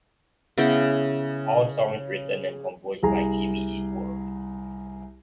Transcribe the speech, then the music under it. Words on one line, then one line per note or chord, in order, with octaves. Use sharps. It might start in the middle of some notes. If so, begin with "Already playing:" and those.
All songs written and composed by Jimmy Eat World.
C#3 B3 E4 G5
C2 G#4 A#5